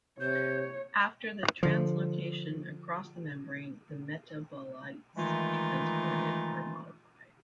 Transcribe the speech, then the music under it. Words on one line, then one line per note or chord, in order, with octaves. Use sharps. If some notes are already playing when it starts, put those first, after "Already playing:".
After the translocation across the membrane, the metabolites transported are modified.
C3 C#5 G6
D3 F3
D#3 E3 G#3 A3 D#4 F4